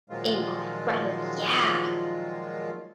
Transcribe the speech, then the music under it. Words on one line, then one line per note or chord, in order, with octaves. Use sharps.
incredib Yeah,
A#2 D#3 F3 F#3 G#3 F4